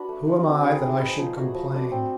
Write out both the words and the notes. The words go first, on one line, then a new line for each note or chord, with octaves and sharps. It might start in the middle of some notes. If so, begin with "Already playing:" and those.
Who am I that I should complain?
Already playing: D4 F#4 B4
A3
D4 F#4 B4
C4
D#4 G#4 B4
C4
D#4 G#4 B4
F3
A3 D4 F#4
F3
A3 D4 F#4
C4